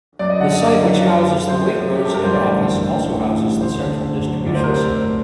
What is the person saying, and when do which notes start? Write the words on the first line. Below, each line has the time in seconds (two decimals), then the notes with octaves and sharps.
The site which houses the Waitrose head office also houses the central distribution centre.
0.19 F#2 D5
0.30 D#5
0.40 D3 F#5
0.52 D#5
0.62 F#2 D5
0.83 F#3
1.05 F#3
1.26 F#3
1.48 F#2 C5
1.68 F#2
1.90 F#3
1.96 G4
2.05 A4
2.11 G2 A#4
2.23 C5
2.33 A1 D5
2.54 D3
2.75 A1
2.97 A2
3.18 A1
3.40 G3
3.61 D2 C5
3.82 D3
4.04 D2
4.25 F#3
4.46 D2 D5
4.55 C5
4.64 C3 A#4
4.73 C5
4.89 D2